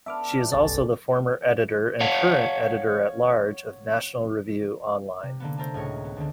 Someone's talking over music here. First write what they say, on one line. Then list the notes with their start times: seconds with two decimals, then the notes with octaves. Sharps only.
She is also the former editor and current editor-at-large of "National Review Online".
0.06 B3 D4 E5 D6 F6
0.52 G1 C2 C#4 G4 A4 A6
2.00 C#5 F5 F#5
5.23 C3
5.40 D3 A#3 B3
5.57 A3 A4 A#4 C5
5.74 C#2 A2 A#4 C#5 C#6
6.04 B3
6.16 D2 D3